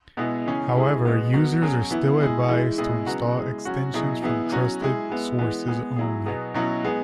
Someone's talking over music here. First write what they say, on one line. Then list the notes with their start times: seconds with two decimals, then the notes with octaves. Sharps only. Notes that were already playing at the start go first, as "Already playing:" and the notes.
However, users are still advised to install extensions from trusted sources only.
0.17 B2 G#3 B3 E4 G#4
0.46 C#3 E3 C#4 G#4
0.75 C#3 G#3 E4 G#4
1.04 B2 G#3 B3 G#4
1.33 F#3 B3 F#4
1.62 F#3 C#4 G#4
1.91 E3 B3 E4
2.20 G#3 E4 G#4
2.48 E3 G#3 E4
2.78 B2 G#3 E4 G#4
3.06 C#3 F#3 B3 F#4
3.36 G#3 E4 G#4
3.65 F#3 C#4 F#4
3.94 B2 F#3 E4 G#4
4.22 E3 B3 E4 G#4
4.52 F#3 C#4 F#4
4.81 G#3 E4 G#4
5.10 G#3 B3 E4
5.39 E3 G#3 B3
5.67 G#3 B3 G#4
5.96 F#3 E4 G#4
6.26 B2 F#3 B3 G#4
6.54 B2 F#3 C#4 E4
6.83 G#3 B3 G#4